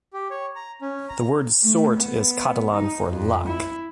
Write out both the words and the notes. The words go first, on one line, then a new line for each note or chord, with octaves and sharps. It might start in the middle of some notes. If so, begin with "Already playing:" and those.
The word "sort" is Catalan for "luck".
G4
C#5
A#5
C#4
A#5
A3
B3
D#4
F2
E4